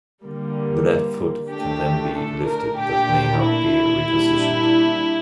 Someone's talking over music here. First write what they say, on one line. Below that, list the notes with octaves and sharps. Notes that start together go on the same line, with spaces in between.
The left foot can then be lifted, but may not be repositioned.
D3 G3 A#3
D3 A3 D4 G4
A4
A#4
A#2 A3 D4 G4
E4
A#2 G3 D4